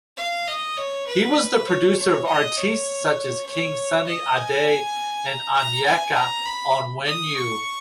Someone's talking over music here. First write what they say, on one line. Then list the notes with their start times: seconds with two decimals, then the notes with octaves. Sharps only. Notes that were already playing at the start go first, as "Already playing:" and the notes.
He was the producer of artistes such as King Sunny Ade and Onyeka Onwenu.
0.17 F5
0.48 D#5
0.77 C#5
1.07 B4
1.68 C#5
1.98 C#5
2.27 D#5
2.57 C#5
3.46 C#5
4.07 D#5
4.36 G#5
5.27 A#5
5.57 A#5
5.86 G#5
6.16 A#5
6.45 B5
7.05 D#6
7.35 C#6